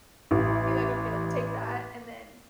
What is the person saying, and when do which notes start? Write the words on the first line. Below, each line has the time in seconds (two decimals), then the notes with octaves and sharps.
be like, okay, like, take that, and then
0.31 A1 E3